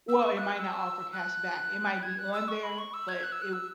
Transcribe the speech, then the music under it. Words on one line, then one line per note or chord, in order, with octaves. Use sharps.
Well it might not offer cash back it might be on there, but it w
E6
C#6
F#6
F#6
E6
F#6
F#6
G#6
F#6
E6
C#6
B5
C#6
E6
G#6
F#6
E6
F#6
E6